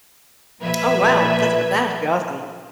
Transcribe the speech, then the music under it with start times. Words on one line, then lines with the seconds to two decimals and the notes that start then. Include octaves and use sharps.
Oh, wow. That's for that's really awesome.
0.61 A#2 F3 B4 E5 G#6